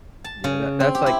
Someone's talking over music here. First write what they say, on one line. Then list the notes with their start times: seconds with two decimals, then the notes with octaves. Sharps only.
Yeah. That that's like
0.24 A5
0.44 C#3
0.80 C4
0.95 G4
1.06 E4